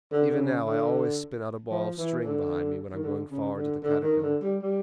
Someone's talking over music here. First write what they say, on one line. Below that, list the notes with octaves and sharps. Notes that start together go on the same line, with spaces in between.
Even now I always spin out a ball of string behind me when I am going far into the catacomb.
D3
D3
C#3
D3
F3
E3
D3
D#3
D3
C#3
D3
D3
D#3
D3
G3
G3